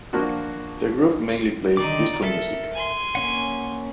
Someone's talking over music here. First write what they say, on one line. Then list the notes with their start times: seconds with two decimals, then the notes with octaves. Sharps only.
The group mainly played disco music.
0.13 F3 A#3 D4 F4 F#4
1.77 D3 D#3 D#4 D5 D6
2.23 A4 A#4 E5
2.73 G#5 C6
3.15 A#3 C#4 F#5